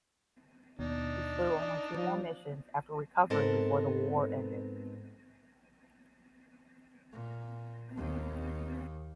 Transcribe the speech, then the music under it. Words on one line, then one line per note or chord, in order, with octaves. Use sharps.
He flew only two more missions after recovering before the war ended.
D#2 B2 D4 D#4
D5
F3
G#2 B3 C4 A4 A#4 A5
A#2
D#2